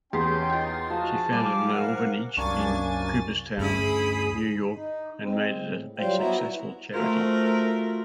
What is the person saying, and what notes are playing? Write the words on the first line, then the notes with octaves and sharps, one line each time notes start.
She founded an orphanage in Cooperstown, New York and made it a successful charity.
E2 C#4 G4 G#4 G5 C6
D#4 F4
F3 F#4 G#4 A5
G3 G4 C5 F5 G#5 D6
A#4 F5 F#5
C2 F#2 A#3 D4 G#5 C#6 A6
D2 G2 C#4 E4 G#4 B5 D#6
D#4
G#3 C4
A2
F#3 G3 F4 C5 F5 G5
B3 E4 F#4 E5 A#5
A3 F4 F#4 A#4 C5